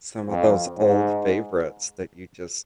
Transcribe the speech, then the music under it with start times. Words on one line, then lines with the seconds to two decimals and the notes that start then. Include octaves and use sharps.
some of those old favorites that you just
0.29 F2
0.78 G#2